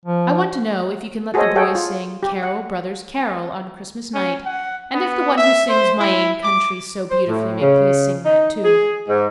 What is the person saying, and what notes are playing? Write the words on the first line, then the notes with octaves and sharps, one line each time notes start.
I want to know if you can let the boys sing 'Carol, brothers, carol,' on Christmas night, and if the one who sings 'My ain countree' so beautifully may please sing that too.
F3
F#4 G#4 A4 C5 C#5 D#5
G#4 A4 C#5 F#5 G5
F4
G4
F#5
C#4
F#5
B3
E5
C5
E4
D6
C5
A2
C#3
D#4
G#4
G#2